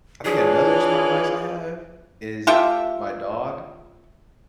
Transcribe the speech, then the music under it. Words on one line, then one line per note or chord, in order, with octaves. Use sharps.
I think another smart device I have is my dog.
E3 D4 F4 G#4 C#5 G#5
A3 F4 G4 E5